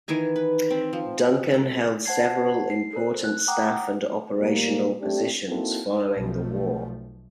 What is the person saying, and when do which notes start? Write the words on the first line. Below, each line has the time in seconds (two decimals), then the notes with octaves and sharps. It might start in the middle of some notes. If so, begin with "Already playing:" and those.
Duncan held several important staff and operational positions following the war.
0.08 D#3 E3 G#5 A#5
0.36 B4
0.70 C4
0.93 F3
1.51 G#3 A4
2.05 C5 F#5 A5 G#6 C7
2.70 C7
2.93 A4 A#4 C5
3.24 F#6
3.48 F#5 G5 A#5 D6 D#6
4.38 A#2 G3 A#3
5.00 A3 C4 D4 G4
5.48 A#3 C4 D#4 E4 F#4 A4
6.16 B1 F3 A3